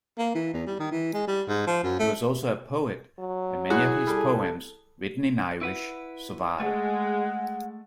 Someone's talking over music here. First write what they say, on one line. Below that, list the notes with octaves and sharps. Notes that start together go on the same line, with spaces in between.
He was also a poet and many of his poems, written in Irish, survive.
A#3
E3
E2
G3
D#3
E3
G#3
G3
G#2
F3
F#2
A3
F#3
E4 F#4 G#4 F#6
G3 A4
E4 B4 F#5
G#3 A3 F#5